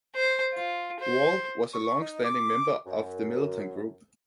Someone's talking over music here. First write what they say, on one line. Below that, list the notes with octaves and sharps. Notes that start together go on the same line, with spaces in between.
Wall was a long-standing member of the Militant group.
C5
F4
C5
C#6
D#4
D6
F#2